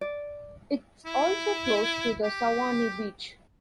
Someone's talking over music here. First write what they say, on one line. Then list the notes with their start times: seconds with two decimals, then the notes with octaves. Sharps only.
It's also close to the Souani Beach.
0.01 D5
1.06 E4
2.24 G4